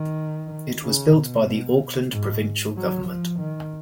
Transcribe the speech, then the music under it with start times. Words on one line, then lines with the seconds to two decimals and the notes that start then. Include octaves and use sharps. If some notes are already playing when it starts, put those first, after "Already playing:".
It was built by the Auckland provincial government.
Already playing: D#3
0.83 C#3
1.15 B2
2.11 G#2
2.76 F#3
3.08 F3
3.40 D#3